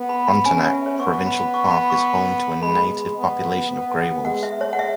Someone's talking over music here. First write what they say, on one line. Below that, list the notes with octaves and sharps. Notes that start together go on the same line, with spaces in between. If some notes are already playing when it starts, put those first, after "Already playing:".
Frontenac Provincial Park is home to a native population of grey wolves.
Already playing: B3
B5
B5
C#4 G#5
F#5
E5
C#5
B3 C#6
B5
C#6
B5
C#6
G#3 B5
B3
B3
G#3 F#5
E5
C#5
F#5
E5